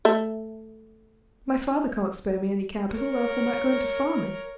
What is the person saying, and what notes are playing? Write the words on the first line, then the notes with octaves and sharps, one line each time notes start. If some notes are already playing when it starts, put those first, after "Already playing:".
My father can't spare me any capital, else I might go into farming.
A3 E5
A#4 C#5